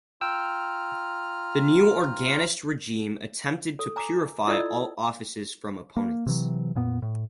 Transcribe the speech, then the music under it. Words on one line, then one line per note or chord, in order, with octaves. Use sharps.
The new Orangist regime attempted to purify all offices from opponents.
F4 G5 A#5 E6 F6
A4
G#5 A#5 D6
E4 F4 A4 D5 D#5 E6
A#3
C3 E3 F#3
F2 A#2 B3
A2